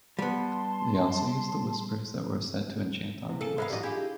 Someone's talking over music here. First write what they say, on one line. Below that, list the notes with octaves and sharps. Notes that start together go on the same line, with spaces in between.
They also used the whispers that were said to enchant objects.
G3 B3 A5 C6
A2 C3
A#3 G#4 A4
G#3 B3 A#4 E5 F5 B5
A1 F#3 G4 D5 D#5
D4 E4 F4 G4 G#4